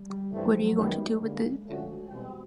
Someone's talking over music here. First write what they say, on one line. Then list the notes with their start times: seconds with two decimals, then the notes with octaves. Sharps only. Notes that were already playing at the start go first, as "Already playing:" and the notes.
What are you going to do with it?
Already playing: G3
0.10 G3
0.32 G2 E3 F3 A3 C4
0.44 F#3
0.66 F#3
0.77 F#2 D#3 G3 G#3 B3
1.22 D3 G3 A#3
1.67 D3 F3 A3 C#4 F#4
2.11 E2 B2 G3 C4